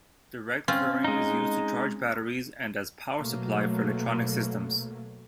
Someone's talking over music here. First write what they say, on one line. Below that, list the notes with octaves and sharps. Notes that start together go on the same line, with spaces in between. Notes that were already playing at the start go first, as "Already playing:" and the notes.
Direct current is used to charge batteries and as power supply for electronic systems.
C4 C#4 F4
G#3 D#4
B2 F#3 A3 A#3